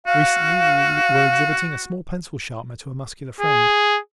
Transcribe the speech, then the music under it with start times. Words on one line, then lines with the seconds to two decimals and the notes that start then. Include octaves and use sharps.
Recently we were exhibiting a small pencil sharpener to a muscular friend.
0.07 F#4 F5
3.41 G#4